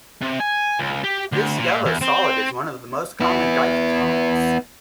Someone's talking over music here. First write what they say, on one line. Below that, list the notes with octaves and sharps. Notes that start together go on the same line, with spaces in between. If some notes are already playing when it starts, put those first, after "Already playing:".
This yellow solid is one of the most common diketones.
C3
G#5
C#2
G4
D2
A#2
E2
C4
B3 E4